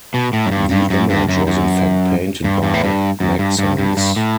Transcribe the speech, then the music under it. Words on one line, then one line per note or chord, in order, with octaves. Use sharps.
The image was in fact painted by Maxence.
B2
A2
F#2
G2
G2
F#2
G2
F#2
F#2
G2
G2
A2
G2
F#2
G2
G2
G2
G2
A2